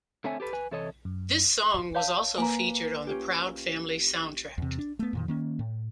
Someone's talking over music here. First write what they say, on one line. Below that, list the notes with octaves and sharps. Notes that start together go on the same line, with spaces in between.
This song was also featured on "The Proud Family Soundtrack".
D3 A3 C4 C#5 E5 G#5
G4 A4 B4
B4 G#5
C3 E3 A4 C#5 D#5
F#2
C#5 F5 A5
A#3 B4 G#5 A#5 D6
C#4 F4 G4
E2 C3
D4
A3 B3
F2 A#2 D#3
D#3 A#3 C#4
A2